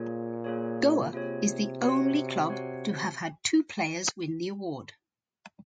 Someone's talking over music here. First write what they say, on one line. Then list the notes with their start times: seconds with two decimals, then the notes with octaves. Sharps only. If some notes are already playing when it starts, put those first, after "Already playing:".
Goa is the only club to have had two players win the award.
Already playing: A#2 A#3 F4 G#4 C#5
0.44 A#3 F4 G#4 C#5
1.13 C3 A#3 F4 G#4 C#5
1.81 F#4 C#5 F#5
2.49 F#4 C#5 F#5